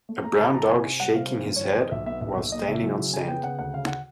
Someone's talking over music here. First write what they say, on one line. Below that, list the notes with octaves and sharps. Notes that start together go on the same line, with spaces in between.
A brown dog is shaking his head while standing on sand.
A3
A3 A#5
C#3 A5
B5
F3 A#5
A5
C3 G#5
C3
G3 F#5
C3 F5
F3
G2
F3 C#5
D5
F3 D#5
B1 E5
B3 E5
B1 E5
B1
A#3 D#5
C#3 E5
F#3
C#3
C#3 G#5
B3 G5
C#3 F#5
D2 F#5
C#3 F5
F#5